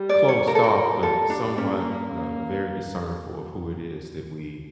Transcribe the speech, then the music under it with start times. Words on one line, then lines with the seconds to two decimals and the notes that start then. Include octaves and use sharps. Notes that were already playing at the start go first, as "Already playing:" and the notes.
closed off, but somewhat, uh, very discernful of who it is that we
Already playing: G3
0.09 D5
0.28 C#5
0.47 F3 A#4
0.55 A4
0.64 A#4
1.02 G3 A4
1.30 D4
1.57 A#3 C#4
2.13 A#3